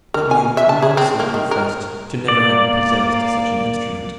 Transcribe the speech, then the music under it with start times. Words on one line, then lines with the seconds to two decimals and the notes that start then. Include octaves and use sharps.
W---- modestly confessed to never having possessed such an instrument.
0.14 A#4
0.31 G#5
0.57 E5
0.69 A5
0.82 G#4
0.97 C4
1.20 A#3
1.34 D#3
1.51 A#4
2.28 A#3 D5